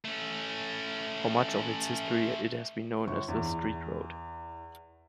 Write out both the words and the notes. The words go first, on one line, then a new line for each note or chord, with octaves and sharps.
For much of its history it has been known as "the Street road".
A3 C#4
G1 C#6
E2